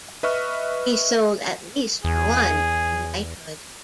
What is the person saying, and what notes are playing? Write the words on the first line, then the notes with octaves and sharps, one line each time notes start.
He sold at least one "knighthood".
B4 D#5 E5 C#6 F6
E2 G#4